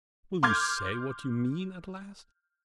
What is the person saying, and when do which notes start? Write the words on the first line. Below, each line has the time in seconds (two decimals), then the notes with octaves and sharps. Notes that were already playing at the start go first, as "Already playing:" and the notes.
"Will you say what you mean at last?"
0.43 C6 D6 F6 G6 G#6